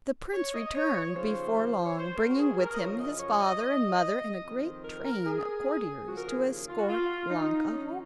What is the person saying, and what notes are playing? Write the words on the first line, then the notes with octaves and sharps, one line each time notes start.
The prince returned before long, bringing with him his father and mother and a great train of courtiers to escort Ilonka home.
C#5
D#5
C#5
C#5
D#2 C#3 F3 C5
C#5
C5
A#4
F#4
G#4
A#4
D#5
F#2 C#3 F3 C#5
D#5
C#5
D#5
D#5
F2 D#3
C5
A#4
A#4
G#4
D#2 C#3 F3 F#4
A#4
G#4
F4
F#4
F4
D#4
F2 D#3 C#4